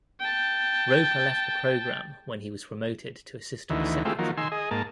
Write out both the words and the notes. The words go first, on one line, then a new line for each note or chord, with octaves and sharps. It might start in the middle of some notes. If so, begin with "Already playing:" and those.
Roper left the program when he was promoted to Assistant Secretary.
G5 A5
D2 D#3 E3
G#3 A3 C4 E4 F4 G4
D#3 F3 F#3 A#3
D#3 G#5 C6 E6
G#4 D#5
G#2 A#3 A5